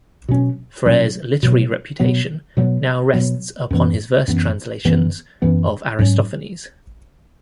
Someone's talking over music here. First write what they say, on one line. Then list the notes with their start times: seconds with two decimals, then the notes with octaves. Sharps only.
Frere's literary reputation now rests upon his verse translations of Aristophanes.
0.28 B2 F#3 C#4
0.86 B2 F#3 C#4
1.43 B2 F#3 B3
2.00 B2 F#3 B3
2.57 B2 F#3 B3
3.13 B2 F#3 B3
3.71 F#2 E3 B3
4.28 F#2 E3 B3
4.85 F#2 E3 B3
5.42 F#2 E3 B3
5.99 G#2 F#3 C#4